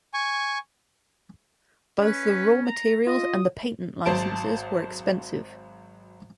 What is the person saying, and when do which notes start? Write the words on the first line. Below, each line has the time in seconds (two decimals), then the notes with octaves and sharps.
Both the raw materials and the patent licenses were expensive.
0.14 G#5 C#6
2.01 C#4 B4
2.65 A#5
3.07 F4 D#5 D#6
4.06 G#1 F#3 C5 A5 D7